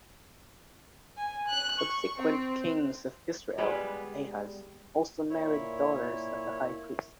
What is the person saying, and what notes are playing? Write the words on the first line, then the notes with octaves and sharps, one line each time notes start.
Subsequent kings of Israel, Ahaz, also married daughters of the high priest.
G#5
F#6
C#6
C4
G3 G#3 B3 B4
A#2 E4 C#5